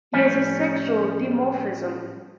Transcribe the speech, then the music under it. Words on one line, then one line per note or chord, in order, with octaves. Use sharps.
He has a sexual dimorphism.
A2 F3 G3 C#4 C#5 G#5